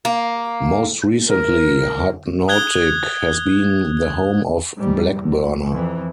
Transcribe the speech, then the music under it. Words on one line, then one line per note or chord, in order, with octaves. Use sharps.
Most recently, Hypnotic has been the home of Blackburner.
A#3
A#4
D#6 F#6 G#6 G7
G#2 G3
E2
F2 E3